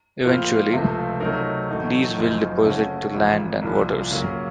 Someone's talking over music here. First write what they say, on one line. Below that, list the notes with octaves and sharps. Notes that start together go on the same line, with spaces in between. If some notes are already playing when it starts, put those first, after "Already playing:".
Eventually, these will deposit to land and waters.
A2 F3 A#3 F4 C5
C#2 C3 F3 A3 C4
C3 F#3 A3 D#4 A#4
A1 A2 F#3 A3 D#4
F#1 F#2 F3 C4 D#4
C#3 A3 C#4 F#4
A1 A2 F3
C2 A#2 F3
C#3 F#3 A#3